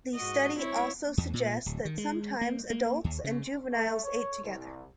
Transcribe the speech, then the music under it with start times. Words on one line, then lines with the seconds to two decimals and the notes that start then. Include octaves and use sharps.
The study also suggests that sometimes adults and juveniles ate together.
0.15 G#2 F#4 D#5
0.58 C4 E4 C#5
1.18 E2
1.34 A#2
1.66 D1
1.85 D#3
1.98 G#3
2.41 A#3
2.70 A#3
3.04 D#2
3.24 C#3
3.71 A3
4.03 C#5
4.43 C2